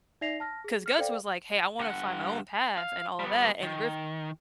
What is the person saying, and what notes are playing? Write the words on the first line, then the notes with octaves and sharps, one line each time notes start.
'cause Guts was like, "Hey, I wanna find my own path and all that," and Griffith
D#4 D5 E5 A#6 C7 F7
A5 F6 A#6
G#4
F6 C#7
A4 C5 D5 F5 G5
G2 F#5
F5
G3 B3
D#3